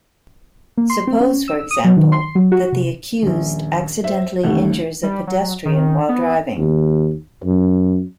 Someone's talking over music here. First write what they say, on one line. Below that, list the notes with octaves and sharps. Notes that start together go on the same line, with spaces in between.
Suppose for example that the accused accidentally injures a pedestrian while driving.
A#3
C6
C4
C#4
E6
D#6
F#3
D#3
C6
F#3
F#4
C3
D#1 A#1
C5 E5
A1 D#2 D#3 G3 A3 F#5
G3
F#3
D#3
B3
D#2
F#2